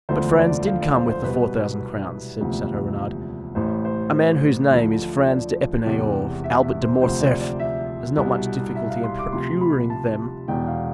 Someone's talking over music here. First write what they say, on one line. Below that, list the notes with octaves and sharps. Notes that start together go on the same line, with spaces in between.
"But Franz did come with the four thousand crowns," said Chateau-Renaud. "A man whose name is Franz d'Epinay or Albert de Morcerf has not much difficulty in procuring them."
E1 D2 D3 F3 C5
D5
F5
D5
C5
C5
C2 B2 B4
E1 D2 C3 F3
A1 A2 E3 C5
C5
C5
D2 D3 F3
D5
E1 E2 C3
E5
E5
C5
D2 C3 F3 C5
D5
D5
E5
C2 B2
E5
F5
C6
D6
D2 C3 F3 C6
B5
A5
E1 E2 B2 G5
F5